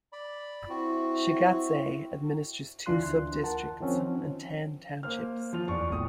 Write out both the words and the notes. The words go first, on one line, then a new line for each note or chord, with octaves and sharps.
Shigatse administers two subdistricts and ten townships.
D5 B5
C4 E4 F#4
D2 E3 D4 F4 C6 F#6
A#4 F#5 A5
D#3 F3 C4 C#4
A#3 C5 F6
F3 F4 F7
E2 D5 C#6
D1 A2 D#6